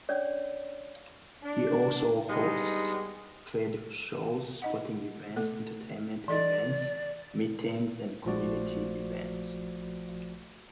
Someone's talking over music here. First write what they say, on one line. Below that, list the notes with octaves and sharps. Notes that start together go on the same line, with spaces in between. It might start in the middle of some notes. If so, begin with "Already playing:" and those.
It also hosts trade shows, sporting events, entertainment events, meetings and community events.
C#4 D4 C#5 D5
D4
G3 G#3 B3 D4 D#4
D#4 D#5 F#5
A3 A4
E3 A4 D5 D#5
A#1 F3 A3 F#4 D5